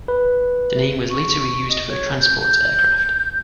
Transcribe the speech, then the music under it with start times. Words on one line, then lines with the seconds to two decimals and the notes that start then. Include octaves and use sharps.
The name was later re-used for a transport aircraft.
0.08 B4
1.10 C#6
1.40 C#6
1.69 D#5
1.88 C#5
2.19 G6
2.37 G6